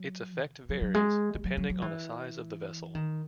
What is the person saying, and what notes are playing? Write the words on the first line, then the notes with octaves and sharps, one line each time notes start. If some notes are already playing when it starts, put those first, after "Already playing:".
Its effect varies, depending on the size of the vessel.
Already playing: F#3
B2
F#3
F#3
G#3
G#3
F#3
F#3
F#3
E3
D#3